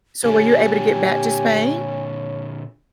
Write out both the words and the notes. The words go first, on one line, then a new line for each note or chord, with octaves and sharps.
So were you able to get back to Spain?
A#2 D3 G4 C#5 G#5